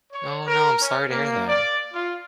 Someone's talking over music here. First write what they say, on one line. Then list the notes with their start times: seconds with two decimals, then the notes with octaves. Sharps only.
Oh, no. I'm sorry to hear that.
0.11 C#5
0.46 A#4
0.79 C#4
1.10 A#3
1.47 D5
1.93 F4